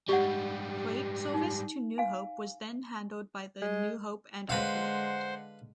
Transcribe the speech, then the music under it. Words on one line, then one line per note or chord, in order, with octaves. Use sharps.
Freight service to New Hope was then handled by the New Hope and Ivyland.
G#2 G3 G4 D5 F#5
D#4
F5 G#5
G#3
D3 G#3 B4 C5 F5 F#5